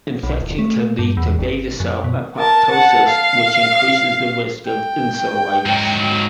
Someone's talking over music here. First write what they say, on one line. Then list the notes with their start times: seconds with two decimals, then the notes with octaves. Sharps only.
Infection can lead to beta-cell apoptosis which increases the risk of insulitis.
0.23 B1
0.42 D#1
0.59 A3
0.99 G2
1.17 E2
1.39 G1
1.80 F#2
2.04 B2
2.37 A#4 A5
2.71 F#5 A5
3.06 F5
4.66 G5
5.66 G#2 F#3